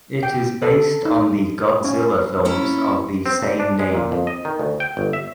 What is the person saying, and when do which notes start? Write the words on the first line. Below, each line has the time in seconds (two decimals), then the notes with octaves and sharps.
It is based on the Godzilla films of the same name.
0.23 G5
0.62 A4
1.05 D#4
1.84 C#4
2.45 A#3 C#4 E4 F4
3.26 C4
3.42 G2
3.60 D4
3.79 G#3
3.95 A#2
4.12 F2
4.27 D#5
4.45 D#3
4.59 D2
4.80 G5
4.97 G1
5.13 E5